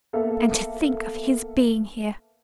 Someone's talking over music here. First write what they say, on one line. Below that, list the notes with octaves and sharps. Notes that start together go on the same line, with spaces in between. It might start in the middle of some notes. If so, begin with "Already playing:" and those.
And to think of his being here!
A#3 B3 A4 E5 F5